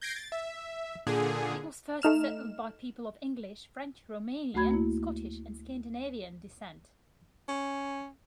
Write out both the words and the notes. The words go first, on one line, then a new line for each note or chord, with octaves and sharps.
It was first settled by people of English, French, Romanian, Scottish and Scandinavian descent.
G6 G#6 A#6 C7 D7
A6
E5
A#2 D3 G#4
A3 D#4 F6 E7
D2 A3 F#4 B5 G#6
A#3 E4
C#4